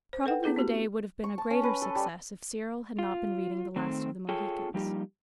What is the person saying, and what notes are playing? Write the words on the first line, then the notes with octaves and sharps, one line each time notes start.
Probably the day would have been a greater success if Cyril had not been reading The Last of the Mohicans.
C5
A4 B4 F#5 G5
B3 C4 E4 G#4 A4
B3 C#4 F#4 G4
C#6
A5
C#4
B4
A4
G3
F4
D#3 A3 C4
F4 G#4 A4 C#5 G5
F3 G3 A#3 D#4 G4